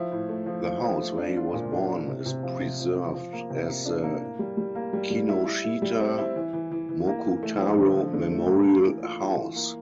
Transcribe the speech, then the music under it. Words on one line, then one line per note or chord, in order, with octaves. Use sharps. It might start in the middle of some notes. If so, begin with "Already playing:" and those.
The house where he was born is preserved as the Kinoshita Mokutaro Memorial House.
Already playing: F3 E4
A2
A3
F3
F3
F3
A3
D4
F4
A#2
D4
D4
C3
C3
F3
C3
F3
F3
F3
A#3
C3
A#3
D4
A#3
A2
G3
G3
A#3
G3
G3
E4
E4
E4
G3
C4
E4
E3
E3
E3
E3
A#3
E3
A3
F3
D3
F3
D3
A3
A#3
A#3
E3
F4
F4
E3
A#3